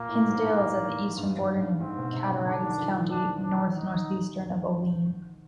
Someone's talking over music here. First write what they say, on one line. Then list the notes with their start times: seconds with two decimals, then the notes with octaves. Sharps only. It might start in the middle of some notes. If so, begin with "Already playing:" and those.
Hinsdale is at the eastern border of Cattaraugus County, north-northeast of Olean.
Already playing: A#2 A#3
0.09 A2
0.30 G#2
1.16 G2
1.37 G#2
1.59 G2
1.80 G#2 C4
1.97 B2
2.13 C3
2.30 C#3
2.45 D3 D4
2.62 D#3
2.78 F3
2.88 F3
2.94 E3
3.11 D4
3.43 D4
3.75 D#3 D#4